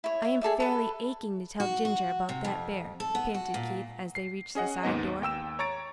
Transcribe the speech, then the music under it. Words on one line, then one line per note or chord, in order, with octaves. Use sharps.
"I am fairly aching to tell Ginger about that bear," panted Keith, as they reached the side door.
E4 C#5
C#5 E5
G#4 A4 D5 E5
A4 B4
F#4
F#4
C3
F2
A4
B3
F#4
A#2
C7
C#4 G#4 D#5 F#5
D#2 G#2 B3 D#5
D#2 G5 E6 E7
C#5 A#5 C#6 A6 D7